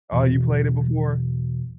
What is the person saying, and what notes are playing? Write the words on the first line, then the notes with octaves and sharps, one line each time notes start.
Oh, you played it before?
E2 B2 F#3